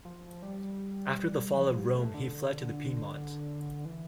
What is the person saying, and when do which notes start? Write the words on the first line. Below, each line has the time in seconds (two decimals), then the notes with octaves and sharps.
After the fall of Rome he fled to Piedmont.
0.05 F3
0.43 G3
1.57 F3
1.76 G3
1.95 A3
2.14 D3
3.85 E3